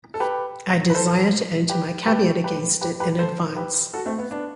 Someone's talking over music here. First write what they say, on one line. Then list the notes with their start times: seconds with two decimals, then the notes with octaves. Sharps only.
I desire to enter my caveat against it in advance.
0.14 A4
0.20 G4 B4
0.90 B4
0.95 A4 C5
1.70 G4 B4
2.07 G4 B4
2.44 G4 B4
2.81 G4 B4
3.00 G4 B4
3.19 A4 C5
3.56 G4 B4
3.94 F#4 A4
4.06 A3 C4
4.18 B3
4.31 B3 D4